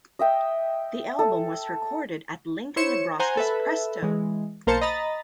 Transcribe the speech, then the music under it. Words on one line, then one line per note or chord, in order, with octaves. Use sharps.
The album was recorded at Lincoln, Nebraska's Presto!
D#5 E5 G5
A4
E4 C5 C#5 C#7 E7
C5 F#5 G#5 A#5 C6
A4 B4 E5
E3 G#3
B1 A#3 A#4 C5 A5 C#7
D#5 A#5 B5 A6